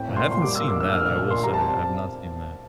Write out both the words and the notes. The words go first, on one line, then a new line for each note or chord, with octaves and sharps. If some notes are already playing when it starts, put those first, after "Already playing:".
I haven't seen that, I will say, I've not seen that.
Already playing: A2 C4 G5
A#2
C6
A#2
C6
G3 D6
A#3 E6
D6
G2 E6
A#3 F6
F6
A#2
F6
A#2 C6
G3 A#5
A5
C4